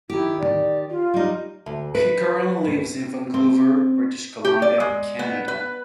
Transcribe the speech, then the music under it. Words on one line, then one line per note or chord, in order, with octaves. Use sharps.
He currently lives in Vancouver, British Columbia, Canada.
D#3 E4 G4
D5
F4
G3 D#4
D2
B4
C4
G4
D5
G#3
B3
B4